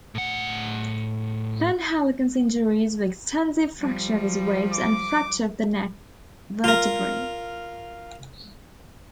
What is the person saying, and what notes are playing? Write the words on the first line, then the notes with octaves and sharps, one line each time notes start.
Penhaligon's injuries were extensive fracture of his ribs and fracture of the neck vertebrae.
A2 F#5
F3 G3
D6
F4 A#4